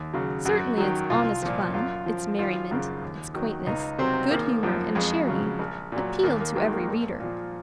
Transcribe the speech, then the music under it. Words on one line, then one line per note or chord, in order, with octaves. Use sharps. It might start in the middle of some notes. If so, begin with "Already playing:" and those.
Certainly its honest fun, its merriment, its quaintness, good humor and charity appealed to every reader.
Already playing: D#2
C#3 F#3
F#2 F#4
D#3 F#3
C2 F4
A#2 F3
F#2 F4
F3
G#1 F4
F#2 C#3
D#2
D#3 F#3
C#2 D#4
C3 F#3 C4
G#1 A#3
F#2 F3
F2 G#3
C#3 F#3
A#1
A#2 F#3
D#2 A#3
A#3
D#3 F#3 G#3
G#3
A#3
A#1
A#2 F3